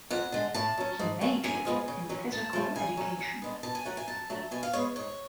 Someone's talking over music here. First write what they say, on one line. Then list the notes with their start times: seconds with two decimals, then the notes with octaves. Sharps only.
He majored in physical education.
0.11 F2 F#5
0.32 D3 G#3
0.54 A2 A5
0.77 F#3 C#4
0.99 G#2
1.21 F#3 C#4
1.44 F#2 G#5
1.65 F3 G#3 B3
1.88 C#3
2.09 F#3 C#4
2.31 G#2 A5
2.53 F3 A3 C#4
2.75 C#3 G#5
2.97 F#3 C#4
3.19 F#2
3.42 D3 G#3 B3
3.63 B2 A5
3.75 G#5
3.85 F#3 A3 C#4 F#5
3.97 G#5
4.07 F#2 A5
4.30 D3 F#3 A3
4.51 B2 G#5
4.63 F5
4.73 G#3 B3 C#5
4.96 G#2 C#5